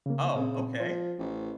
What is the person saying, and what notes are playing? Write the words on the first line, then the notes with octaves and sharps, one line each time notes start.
Oh, okay.
C#3 A#3
A#2 C#3 C4
F3 C5
A1